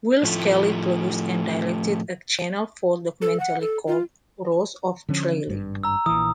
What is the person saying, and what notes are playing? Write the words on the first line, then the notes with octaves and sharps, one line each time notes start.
Will Scally produced and directed a Channel Four documentary called "Rose of Tralee".
A2 F3 A3
A4
F#5
A4
F4
D3 F3 C#4
G#1 G2
A#5 E6
A#1 A#2 E3 D#6